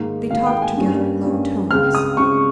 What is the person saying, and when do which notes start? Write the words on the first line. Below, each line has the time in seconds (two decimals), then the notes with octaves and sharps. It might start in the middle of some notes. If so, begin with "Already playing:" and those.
They talked together in low tones.
Already playing: G#2 D#3 A#3
0.31 G#2 D#3 A#3 F5
0.46 G5
0.62 G#5
0.77 G2 G3 A#3 C#4
1.24 G2 G3 A#3 C#4
1.71 C#2 C#3 G#3 C4 F6
1.95 D#6
2.17 C#2 C#3 G#3 C4 C#6